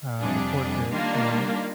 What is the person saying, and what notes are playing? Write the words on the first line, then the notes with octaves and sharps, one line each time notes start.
uh, the portrait mode,
F2 C3 G3 D4 G#4
D#3 G3 A#3 D4 F4